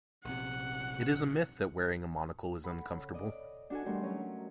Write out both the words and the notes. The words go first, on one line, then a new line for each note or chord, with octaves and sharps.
It is a myth that wearing a monocle is uncomfortable.
A#1 C3 F#5
A4 F#5 B5
C#3
D5 D#5
D4 F#4 A4 G#5
E2 G3 A3 D4 A#4 C6
F#3 C#4